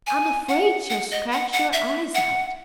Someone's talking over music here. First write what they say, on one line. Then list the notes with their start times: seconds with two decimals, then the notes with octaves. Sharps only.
"I'm afraid she'll scratch your eyes out."
0.07 G#5
0.49 F#5
0.90 F#5
1.11 D#5
1.32 F#5
1.53 F#5
1.73 E5
2.15 F#5